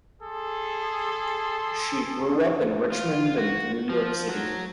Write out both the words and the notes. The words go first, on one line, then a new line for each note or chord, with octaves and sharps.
She grew up in Richmond and New York City.
G#4 A4 C6
F4
F#4
F3
F#3